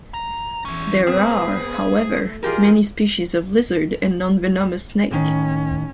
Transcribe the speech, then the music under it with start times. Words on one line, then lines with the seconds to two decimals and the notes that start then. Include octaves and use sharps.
There are, however, many species of lizard and non-venomous snake.
0.14 A#5
0.65 E2 C#4 E4
1.07 B3 C4 G#4 B4
2.10 A3
2.43 E3 G#3 F4 G4 G#4 A#4
5.11 A2 D#3 C#4